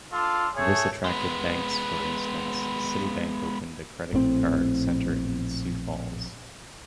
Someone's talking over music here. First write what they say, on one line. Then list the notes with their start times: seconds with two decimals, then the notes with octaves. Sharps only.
This attracted banks: for instance, Citibank opened a credit card center in Sioux Falls.
0.13 D4 F4 A4 C6
0.55 A3 G#4 C#5
1.04 G#3 B3
4.13 A#1 A2 C3 C4